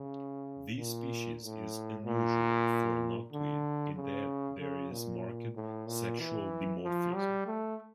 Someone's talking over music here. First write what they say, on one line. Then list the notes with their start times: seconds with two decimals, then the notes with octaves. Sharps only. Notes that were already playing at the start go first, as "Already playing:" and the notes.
This species is unusual for a noctuid in that there is marked sexual dimorphism.
Already playing: C#3
0.77 A#2
1.41 A2
2.05 A#2
3.32 D3
3.96 C#3
4.60 C#3
4.92 A#2
5.56 A2
5.88 A#2
6.19 E3
6.83 F3
7.15 G3
7.46 A3